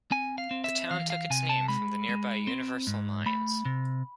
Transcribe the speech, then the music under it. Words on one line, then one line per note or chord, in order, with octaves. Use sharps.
The town took its name from the nearby Universal Mines.
C4 G#5
F5
C4
E5
E3 F5
F5
C3 G#5
A5
G#3 B5
G#3
C4
G#2
A3 B5
C3